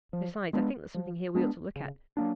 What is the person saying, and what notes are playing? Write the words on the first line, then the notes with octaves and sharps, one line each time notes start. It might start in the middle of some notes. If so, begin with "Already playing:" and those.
Besides I think there's something here we ought to look at.
F3
G#3 B3 D4
F3
G#3 B3 D4
C#3
F#3 A#3 D4